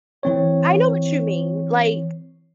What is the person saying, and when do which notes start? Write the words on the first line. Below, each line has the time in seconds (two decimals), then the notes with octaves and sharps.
n I know what you mean, like
0.23 E3 C4 C#5